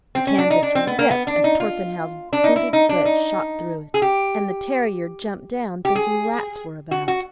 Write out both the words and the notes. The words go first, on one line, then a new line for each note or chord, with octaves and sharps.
The canvas ripped as Torpenhow's booted foot shot through it, and the terrier jumped down, thinking rats were about.
C4
C#4
D4
D#4
D4
C4
B3
A#3
B3
D4
D#4
F4
D4
D#4
E4
D#4
D4
D#4
G#4
G4
G4
G#4
F#4
F#4